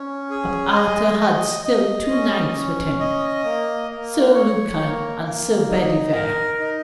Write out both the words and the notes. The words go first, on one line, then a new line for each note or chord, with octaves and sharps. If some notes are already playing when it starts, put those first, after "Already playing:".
But Arthur had still two knights with him, Sir Lucan and Sir Bedivere.
Already playing: C#4
G#4
D#5
D#5
D#5
C#4
C#4
D#5
A#3
A#3
C#5
A#3
A#3
D#4
A#4
D#4